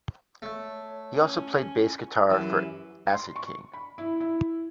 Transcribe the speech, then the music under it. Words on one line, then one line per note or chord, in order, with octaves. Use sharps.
He also played bass guitar for Acid King.
A3 C#5
C#4
F#2 E3 G4
C6
C#6
B5
E4
E4